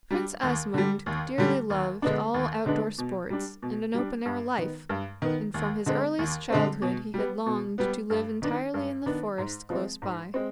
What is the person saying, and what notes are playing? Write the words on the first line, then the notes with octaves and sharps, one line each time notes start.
Prince Asmund dearly loved all outdoor sports and an open-air life, and from his earliest childhood he had longed to live entirely in the forest close by.
G3 D4
D#2
D3 G3
D#2
D3 G3
D#2
D3 G#3 B3 D4
D#2
D3 G#3 B3 D4
B2
G3 D4
B2
G3 D4
G2
D#3 B3
G2
D#3 B3
D#2
D3 G#3 C4
D#2
D3 G#3 C4
B2
G3 B3
B2
G3 B3
G2
D#3 B3 D4
G2
D#3 B3 D4
G#2
F3 G#3 C4
G#2
G#3 C4